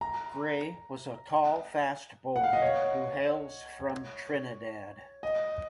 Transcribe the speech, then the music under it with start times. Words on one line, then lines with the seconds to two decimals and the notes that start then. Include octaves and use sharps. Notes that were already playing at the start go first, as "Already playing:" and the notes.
Gray was a tall fast bowler who hails from Trinidad.
0.01 A#5
2.36 F#5
2.43 F5
2.53 D#5
2.62 C#5
5.23 D#5